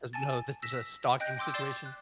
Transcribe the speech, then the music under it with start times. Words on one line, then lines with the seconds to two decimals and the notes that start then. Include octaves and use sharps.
'Cause, no, this is a stalking situation.
0.13 G#5 A5 A6
0.62 E6 A#6 B6 E7
1.20 D#5 G5 F#6 G6 A#6 D7
1.38 G5 C6 D6 E6 G6
1.54 D5 C6 D6 A6 C7 E7
1.86 F#6